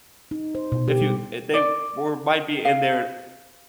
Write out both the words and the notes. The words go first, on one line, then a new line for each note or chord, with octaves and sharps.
w if you if they we're might be in there,
D#4
C5
B2
G4
G3
D5
F5